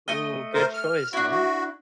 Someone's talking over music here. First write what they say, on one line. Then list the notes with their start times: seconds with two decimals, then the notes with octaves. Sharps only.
Ooh, good choice, man.
0.08 A3 D#5
0.54 A#4 C5
0.74 F6
1.13 D4 E4 F#4
1.30 F#4